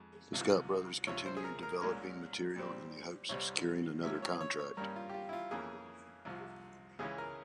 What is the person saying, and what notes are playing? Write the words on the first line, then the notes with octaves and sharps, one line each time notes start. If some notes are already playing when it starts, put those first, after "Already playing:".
The Scott brothers continued developing material in the hope of securing another contract.
Already playing: F2 G#3
C2 C3 F3
C#2 C3 F3 C#5
C5
G#4
A#4
A#4
C2 A#2 G#3 C#4 A#4
A#2 G3 C4
C2 C3 G3 C4 C#5
G#2 F3 A#3 C#4 E5
C#5
C#5
C#5
G2 G3 A#3 C#4 A#4
F4
G4
F4
E4
F4
F2 E3 A#3 C#4 G#4
C2 C3 F3
C#2 C#3 E3 G#3 C#4 G#4
A#4